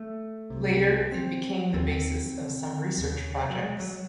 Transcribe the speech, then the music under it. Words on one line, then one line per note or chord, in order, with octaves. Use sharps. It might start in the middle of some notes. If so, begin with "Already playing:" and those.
Later it became the basis of some research projects.
Already playing: A3
C2 C3
C4
D#2 C#3 C4
D#2 C#3
F#3
G#3
F#3